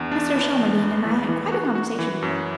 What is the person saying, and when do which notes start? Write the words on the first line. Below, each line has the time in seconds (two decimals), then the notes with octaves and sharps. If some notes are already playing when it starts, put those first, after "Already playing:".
Mr. Shelmardine and I had quite a conversation.
Already playing: E2 D4
0.12 D4
0.35 E3
0.59 E2
0.82 E2
1.05 E3
1.29 E3
1.52 F#4
1.75 F#4
1.99 E3
2.22 F#2